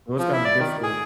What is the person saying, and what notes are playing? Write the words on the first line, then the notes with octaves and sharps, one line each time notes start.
so it's, kinda, difficult,
F3
E4
D5
D#3
G#4